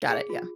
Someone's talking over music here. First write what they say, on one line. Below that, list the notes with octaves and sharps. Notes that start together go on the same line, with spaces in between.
Got it, yeah.
G#4
F4